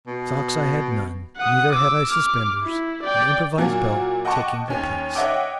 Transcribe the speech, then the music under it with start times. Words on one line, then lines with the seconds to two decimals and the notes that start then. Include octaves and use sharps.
Socks I had none; neither had I suspenders, an improvised belt taking their place.
0.07 B2
1.37 F#5 D#6
1.73 D6 E6
2.05 D6 F6
2.63 E4
3.03 D5 G5
3.58 A#2 F#3 A#3 F#4
4.25 D#5 F#5 G5 A5 C#6 D6
4.68 D#2 C#4
5.15 C#5 D#5 E5 F#5 G5 D6